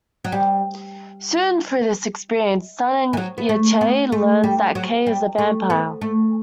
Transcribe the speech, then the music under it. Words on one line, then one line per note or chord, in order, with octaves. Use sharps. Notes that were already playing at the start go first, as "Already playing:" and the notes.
Soon, through this experience, Son and Yi-Che learn that Kei is a vampire.
F#3
G3
E3
F#3
B3
A3
B3
A3
G3
F#3
G3
A3
B3
A3